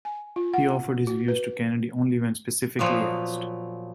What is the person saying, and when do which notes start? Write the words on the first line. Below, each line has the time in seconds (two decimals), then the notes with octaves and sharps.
He offered his views to Kennedy only when specifically asked.
0.05 G#5
0.36 F4
0.54 F#5
1.07 F#4
1.28 B4
2.79 A#2 F3 F#3 B3